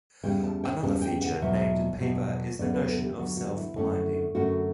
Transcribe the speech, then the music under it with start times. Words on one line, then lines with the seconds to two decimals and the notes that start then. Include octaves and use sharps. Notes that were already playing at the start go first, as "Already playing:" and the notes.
Another feature named in paper is the notion of self-blinding.
0.23 E2 C#3 G3 C#4 G5
0.43 A5
0.64 G5
0.82 E2 C#3 G3 C#4 A5
1.02 G5
1.21 F#5
1.42 E2 B2 F#3 E5
2.00 E2 B2 F#3
2.59 E2 D3 F#3 B3 D5
2.74 B4
2.89 A4
3.03 G4
3.18 E2 D3 F#3 B3 F#4
3.37 F#4
3.57 E4
3.77 F#2 D3 A3 C#4
4.35 F#2 D3 A3 C#4 F#4